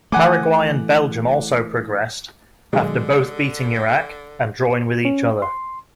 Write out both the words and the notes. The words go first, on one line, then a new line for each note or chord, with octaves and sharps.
Paraguay and Belgium also progressed after both beating Iraq and drawing with each other.
E3 A3 F#5 G#5 D6
B2 D3 D#3 F#3 G#3
C#4
C6